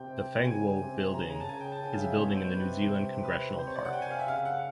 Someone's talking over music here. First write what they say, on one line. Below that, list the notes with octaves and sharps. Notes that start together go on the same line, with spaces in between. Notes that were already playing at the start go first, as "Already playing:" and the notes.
The Fengwo Building is a building in the New Zealand Congressional Park.
Already playing: C3 G5
C#3 G#5
C3
C#3 A#5
G#5
A#5
A5
C#3 G#5
G5
A5
C#3 G5
F5
E5
D#5
B2 C#5
C5
C3 B4
B4
C3 C5
C#5
D5
F#5
C3 G5
G#5
F5
E5
C#3 F5
F#5